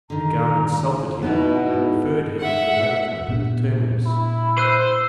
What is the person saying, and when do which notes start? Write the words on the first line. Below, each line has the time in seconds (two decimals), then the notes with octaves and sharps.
The guard insulted him and referred him to the management at the terminus.
0.10 D3 D#3 A#5
1.22 B2 B3 D#4 E4
2.39 E5 F#5
3.28 A#2 B3 D4
4.06 E4
4.58 C5 E6 F#6 D#7